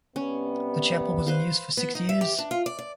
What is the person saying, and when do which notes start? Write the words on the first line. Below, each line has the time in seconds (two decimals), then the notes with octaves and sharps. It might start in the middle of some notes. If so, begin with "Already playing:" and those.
The chapel was unused for six years.
0.16 C3 G3 B3 C#4
1.27 B4 C5 F5
1.77 B3
1.95 D#4
2.09 E5
2.21 G4
2.39 D4
2.51 F4
2.66 D5
2.79 D5